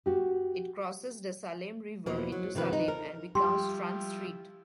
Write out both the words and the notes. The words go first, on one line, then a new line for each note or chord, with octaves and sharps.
It crosses the Salem River into Salem and becomes Front Street.
F#4 G4
E2 B2 F3 A#3
F#3
C3 D#3 F3 B4
D#4
A#4
F3 G3 E4 G4 C6